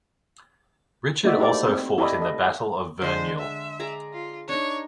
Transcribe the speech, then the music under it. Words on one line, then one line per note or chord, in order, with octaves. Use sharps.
Richard also fought in the Battle of Verneuil.
A3 A#3 D#4 F#4 D5 E5
D#4 E4 G4 A4 C5 D5
C4
E4 G4 A4 D5 D#5
A4 D#5
D3 G#3 C5
E5
G#4 D5 A#5
F4
D4 D#4 C#5